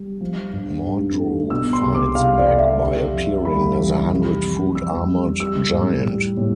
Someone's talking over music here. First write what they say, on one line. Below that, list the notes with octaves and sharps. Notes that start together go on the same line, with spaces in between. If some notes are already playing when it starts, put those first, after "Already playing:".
Mordru fights back by appearing as a hundred foot armored giant.
Already playing: G3
F3
G2
G2
A3
B2 E6
C6
C2
D6
C2 F5
D5
A3
E5
C3
F2
G3 B5
E3
C3
F2
F2 E6
G3
G3 E6
A2
G3
A2